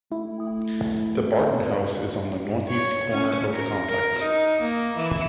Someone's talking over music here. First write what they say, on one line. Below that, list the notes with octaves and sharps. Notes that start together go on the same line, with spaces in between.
The Barton House is on the north east corner of the complex.
A3 E4
C#5
C#4
A#4
A#4
D#4
A#3
E3